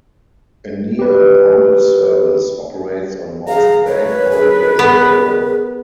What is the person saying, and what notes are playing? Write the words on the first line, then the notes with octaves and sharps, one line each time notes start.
A near normal service operates on most bank holidays however.
G4 B4
G#4 F5 A#5
A#4 B4 C#5
G#4
B3